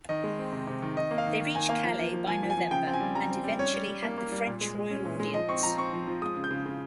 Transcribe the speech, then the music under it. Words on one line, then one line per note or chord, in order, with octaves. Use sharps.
They reached Calais by November and eventually had the French royal audience.
D#3 D#5
G#3
C4
C3
C3
D#3
D#3 D#5
A#3
F5
D#3
D#3
D#3 G#5
A#3 F5
F3
F3
F3
F3 G#5
F3
G#5
F3
C#3 G5
C4 G5
G#5
G3
G3 A#5
C4
G3
C#4 C#5
G3
G3
A#3
A#3
G3
A#2
G#3
G#3
C#4
A#2
G#3
F3 D#5
C4 C#6
F3 A#5
C4 C#6
F3
F3
G#3 D#6
C#3
G6
C#3
C#3